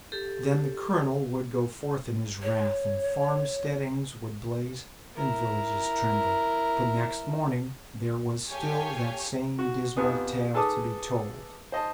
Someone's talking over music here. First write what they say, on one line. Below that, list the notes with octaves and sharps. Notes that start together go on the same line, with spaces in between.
Then the colonel would go forth in his wrath, and farmsteadings would blaze and villages tremble; but next morning there was still that same dismal tale to be told.
G4 A4
C#5
E4 A#4
G4 A4 C#5 F5 G5 G#5
F#4
F2 C3 B3 G#5 D#6
G#4 A4 B4 A5 D6 D#6
C5 D#5 A5